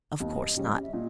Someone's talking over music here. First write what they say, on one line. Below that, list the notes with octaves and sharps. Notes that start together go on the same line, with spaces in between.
Of course not!
D#2 D#5
C#3 G3 C#4
E5
A#2 D#5